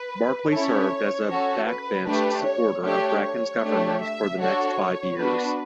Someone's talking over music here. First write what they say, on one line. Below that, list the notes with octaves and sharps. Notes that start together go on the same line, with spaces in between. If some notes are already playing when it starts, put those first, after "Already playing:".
Barclay served as a backbench supporter of Bracken's government for the next five years.
Already playing: B4
C#4 E4 A4 C#5
C#4 F#4 A4 C#5
B4
A3 D4 G4 B4
C#5
A3 D4 G4 C#5
C#5
A3 D4 G4
E5
D4 F#4 A4 C#5
B3 D4 F#4 B4